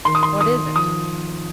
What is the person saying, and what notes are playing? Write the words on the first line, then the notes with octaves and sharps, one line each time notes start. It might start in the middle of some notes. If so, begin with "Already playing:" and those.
"What is it?"
D#3 C6
D#6
C6
D#3 D#6
F3 D#6